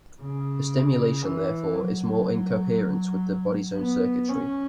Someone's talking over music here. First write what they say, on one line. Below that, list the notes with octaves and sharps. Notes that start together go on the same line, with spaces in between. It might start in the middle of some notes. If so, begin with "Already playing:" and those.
The stimulation therefore is more in coherence with the body's own circuitry.
C#3
E3
F#3
B3
C#4